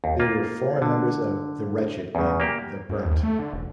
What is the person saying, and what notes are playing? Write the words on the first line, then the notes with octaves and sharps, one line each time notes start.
They were former members of "The Wretched" and "The Burnt".
D#2
A#3 F4
D3
E2 C#3
A#3 G4
F#2
D#2
A3
D3
E1